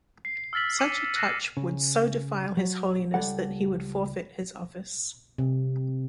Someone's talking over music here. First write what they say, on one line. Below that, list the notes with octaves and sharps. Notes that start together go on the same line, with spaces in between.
Such a touch would so defile his holiness that he would forfeit his office.
C7
E6 F6 A6 B6 F#7
D6 C#7 D#7 F#7
F#6 A6 A#6 C7 E7
C#3
F#3
C#2 G3 G4 A4 F#5
C3